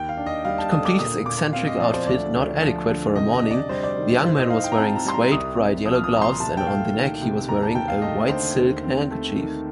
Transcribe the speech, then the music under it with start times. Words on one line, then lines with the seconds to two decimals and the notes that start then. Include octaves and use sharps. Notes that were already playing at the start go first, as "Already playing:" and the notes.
To complete his eccentric outfit not adequate for a morning, the young man was wearing suede bright yellow gloves and on the neck he was wearing a white silk handkerchief.
Already playing: D#2 G5
0.09 F5
0.17 D4
0.26 D#5
0.45 G3 F5
0.58 A5
0.72 D3 D#6
0.85 D6
0.99 A#2 D#6
1.25 A#2 D6
1.53 C4 F5
1.67 D#5
1.80 F3 D5
1.94 C5
2.07 D2 D5
2.34 D2
2.61 F3
2.88 D3
3.15 C3 D#5
3.33 D#5
3.43 D4
3.51 D5
3.69 G3 C5
3.83 D5
3.97 D#3
4.10 D5
4.23 A2 C5
4.37 D#5
4.50 D#4 F5
4.64 G5
4.72 A#5
4.77 C4 A5
4.96 A#5
5.05 G3 C6
5.14 A#5
5.31 C2 D#6
5.58 C4
5.86 F3 D#6
5.95 F6
6.04 D#6
6.13 A#2 A#5
6.22 C6
6.40 C2 A5
6.57 G5
6.67 A3 F5
6.94 D#3
7.21 C3
7.48 D#2 A#5
7.62 A5
7.75 D#2 G5
7.88 F5
8.02 A3 D#5
8.29 D3 C5
8.56 D#2
8.83 C4
9.11 A3
9.37 D#3